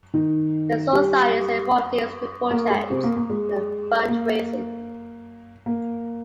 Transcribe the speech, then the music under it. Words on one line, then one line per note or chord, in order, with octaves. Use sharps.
The societies are involved in school projects and in fund-raising.
D#3 D#4
G3 G4
A#3 A#4
G#3 G#4
C3 C4
A#3
A#3
G#3
A#3
A#3